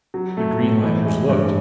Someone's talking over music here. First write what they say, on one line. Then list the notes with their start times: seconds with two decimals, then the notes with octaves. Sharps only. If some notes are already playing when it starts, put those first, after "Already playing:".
The Greenlanders looked.
0.14 F#3
0.37 A3
0.59 A2
0.83 E3
1.06 G#3
1.29 G2